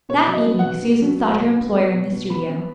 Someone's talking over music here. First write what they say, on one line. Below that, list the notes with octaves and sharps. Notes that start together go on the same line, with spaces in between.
That evening Susan sought her employer in the studio.
B2 C#5
F#3
D#5
B3
F#5
B2
B2
F#3
B3
B2
B3
B3
B2
B2
B3 B5
B3